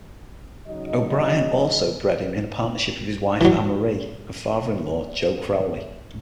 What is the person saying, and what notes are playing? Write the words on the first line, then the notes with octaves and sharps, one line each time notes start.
O'Brien also bred him in partnership with his wife Anne-Marie and father-in-law Joe Crowley.
C#3 F#3 D#4 D#5
E3 F#3